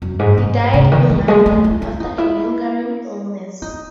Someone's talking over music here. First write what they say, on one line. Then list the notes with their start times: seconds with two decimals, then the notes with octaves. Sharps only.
He died in London, after a lingering illness.
0.02 F#2
0.19 G#2
0.38 G#2
0.74 C#3
0.92 D#3
1.10 E3
1.28 G#3
1.46 A3
1.64 E4
1.82 E4
2.00 D#4
2.18 E4
3.62 D#4